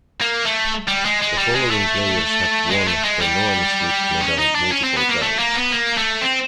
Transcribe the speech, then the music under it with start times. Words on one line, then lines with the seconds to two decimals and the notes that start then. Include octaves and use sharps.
The following players have won the Norm Smith Medal multiple times.
0.21 A#3
0.46 A3
0.87 G3
1.05 G#3
1.22 G#3
1.38 G3
1.55 G#3
1.71 A3
2.71 G#3
2.88 A3
3.04 G#3
3.21 G3
4.21 C#4
4.38 D#4
4.55 D4
4.72 C#4
4.83 C4
4.97 B3
5.09 A#3
5.22 A3
5.38 A#3
5.55 B3
5.72 A#3
5.97 A3
6.21 C4